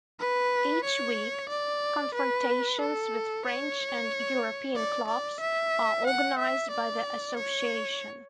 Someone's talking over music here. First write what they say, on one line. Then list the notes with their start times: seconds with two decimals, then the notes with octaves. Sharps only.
Each week confrontations with French and European clubs are organized by the Association.
0.19 B4
0.84 C#5
1.49 D5
2.14 B4
2.80 A4
3.46 C#5
4.75 D5
5.08 D5
5.41 E5
6.07 F#5
6.39 E5
6.71 D5
7.37 C#5